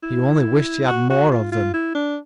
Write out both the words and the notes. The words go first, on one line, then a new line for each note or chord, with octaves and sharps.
He only wished he had more of them.
E4
F#4
F#4
F4
F4
E4
D4